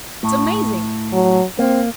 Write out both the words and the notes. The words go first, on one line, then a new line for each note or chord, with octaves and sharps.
It's amazing!
A2
F#3
A#3 C4